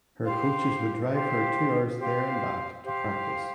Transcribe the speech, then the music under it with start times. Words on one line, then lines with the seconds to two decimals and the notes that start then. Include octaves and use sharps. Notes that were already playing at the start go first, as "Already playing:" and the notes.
Her coaches would drive her two hours there and back to practice.
0.24 G4 C5 F5
1.10 G4 C5 F5
1.97 G4 C5 F5
2.83 G4 C5 F5